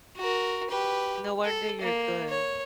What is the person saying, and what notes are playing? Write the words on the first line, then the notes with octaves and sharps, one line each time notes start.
no wonder you're good,
F#4 A#4
G4 B4
A4
A#3
C#5